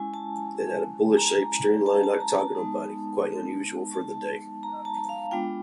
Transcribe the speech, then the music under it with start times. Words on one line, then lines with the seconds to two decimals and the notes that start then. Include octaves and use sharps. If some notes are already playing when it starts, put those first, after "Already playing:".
It had a bullet-shaped streamlined octagonal body, quite unusual for the day.
Already playing: G#3 C#4 E4 G#5
0.14 A5
1.17 A#5
1.86 A5
2.03 A5
2.20 A#5
2.38 A5
2.55 G#3 B3 D#4
3.94 A5
4.63 A#5
4.85 A5
5.09 F5
5.31 G#3 B3 D4 F4 G5